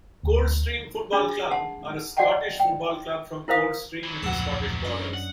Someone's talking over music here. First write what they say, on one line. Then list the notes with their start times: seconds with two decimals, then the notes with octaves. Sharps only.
Coldstream Football Club are a Scottish football club from Coldstream in the Scottish Borders.
0.23 D2
1.13 D4 G#4
1.51 F#5 A5 C6
2.17 F#4 D5 D#5 F#5 G5 A5
2.60 G5
3.48 E4 A#4 C5 F5 D#6
4.03 E3 F#3
4.23 D1 A#1 F2 A4 F#5
4.85 F#2 C#4 D4 D#5
5.14 F#5